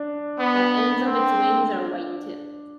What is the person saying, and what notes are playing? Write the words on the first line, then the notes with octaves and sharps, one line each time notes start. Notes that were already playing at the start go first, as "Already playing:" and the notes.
The ends of its wings are white-tipped.
Already playing: D4
B3
C4